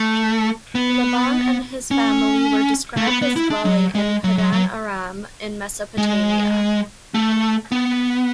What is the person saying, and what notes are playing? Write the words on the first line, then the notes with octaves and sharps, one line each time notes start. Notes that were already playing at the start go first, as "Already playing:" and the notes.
Laban and his family were described as dwelling in Paddan Aram, in Mesopotamia.
Already playing: A3
B3
C#4
A3
B3
B3
E4
D4
F#3
G#3
F#3
F#3
F#3
G#3
A3
B3